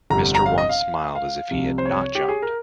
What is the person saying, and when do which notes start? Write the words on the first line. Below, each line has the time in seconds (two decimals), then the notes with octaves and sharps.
Mr. Watts smiled as if he had not jumped.
0.10 G1 F2 C3 G3 A#5
0.35 A#5
0.46 F5
0.58 D#5
0.69 F5
1.15 F5
1.51 C2 C3 F3
1.78 C5
1.86 C#5
2.15 G4
2.28 G#4
2.42 A#4